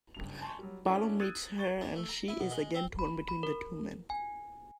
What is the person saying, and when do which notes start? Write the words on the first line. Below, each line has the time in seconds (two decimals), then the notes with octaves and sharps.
Barlow meets her and she is again torn between the two men.
0.15 F#1 G2 F7
0.41 G#5 A5 C6 C#6
0.59 F#3 G3
0.86 C#4 D4 E4 F#4 A4 D5
1.20 D#6 E6 F#6 G#6 A6 D#7
1.58 C#6 A6 G7
1.81 D4
1.96 A3
2.08 A#5
2.28 E4
2.40 B2
2.51 G#3
2.74 C4
2.99 B5
3.29 B5
3.43 A#4
4.10 G#5